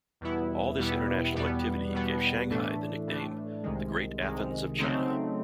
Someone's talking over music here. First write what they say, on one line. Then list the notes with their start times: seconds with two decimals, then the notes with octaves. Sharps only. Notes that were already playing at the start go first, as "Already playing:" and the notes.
All this international activity gave Shanghai the nickname "the Great Athens of China".
0.21 E2 B2 G3 B3 E4
0.79 E2 B2 G3 B3 E4
1.36 E2 B2 G3 B3
1.92 E2 B2 G3 B3
2.50 A2 E3 A3 D4
3.07 A2 E3 A3 D4
3.63 C2 C3 D#3 G#3
4.21 C2 C3 D#3 G#3
4.78 C#3 F#3 A3 C4 D#4